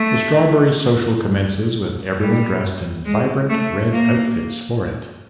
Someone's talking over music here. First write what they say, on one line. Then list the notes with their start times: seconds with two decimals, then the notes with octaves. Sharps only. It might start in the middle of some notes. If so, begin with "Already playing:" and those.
The Strawberry Social commences with everyone dressed in vibrant red outfits for it.
Already playing: A3
2.20 G3
3.05 G#3
3.49 A3
3.92 A#3